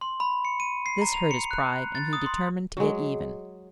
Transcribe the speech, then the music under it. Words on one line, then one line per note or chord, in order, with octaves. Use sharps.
This hurt his pride, and he determined to get even.
C6
B5
C#7
D#7
C7
A#5
F7
C#7
F#6
A6
D#6
C6
F#3 G#3